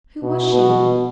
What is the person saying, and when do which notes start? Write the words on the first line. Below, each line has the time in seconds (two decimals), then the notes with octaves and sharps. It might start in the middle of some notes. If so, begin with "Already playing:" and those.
Who was she?
0.23 B2
0.54 B2